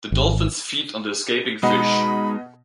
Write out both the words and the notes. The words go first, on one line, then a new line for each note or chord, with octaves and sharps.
The dolphins feed on the escaping fish.
G#1
B2 G#3 D#4 D#5 F#5 B5